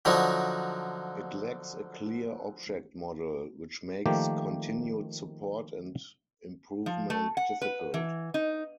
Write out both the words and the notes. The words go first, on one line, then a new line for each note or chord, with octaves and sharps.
It lacks a clear object model, which makes continued support and improvement difficult.
D3 F3 F#3 D#4
D#3 F3 A3 A#3 G4
F3
A3
F#5
B4
E3
D#4